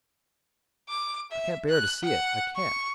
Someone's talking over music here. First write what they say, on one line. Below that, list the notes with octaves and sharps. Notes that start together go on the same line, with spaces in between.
I can't bear to see it!--I can't!
D6
E5
F#6
F#5
C#6